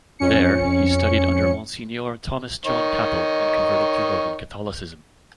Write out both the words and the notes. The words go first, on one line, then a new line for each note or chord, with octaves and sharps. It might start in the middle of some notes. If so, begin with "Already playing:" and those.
There, he studied under Monsignor Thomas John Capel and converted to Roman Catholicism.
F2 C#4 C#7
D#3 C#5 D#5